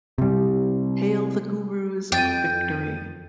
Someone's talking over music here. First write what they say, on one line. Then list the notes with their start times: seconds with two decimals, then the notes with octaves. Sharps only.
Hail the Guru's victory!
0.18 C3 G3
2.12 F2 G5 A6 D#7